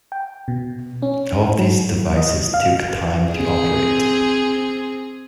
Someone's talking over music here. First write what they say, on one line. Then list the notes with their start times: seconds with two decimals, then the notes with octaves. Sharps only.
All of these devices took time to operate.
0.12 G5
0.48 B2
1.02 C#4
1.58 F#3
2.17 D#5
2.54 F5
3.32 C4 G#4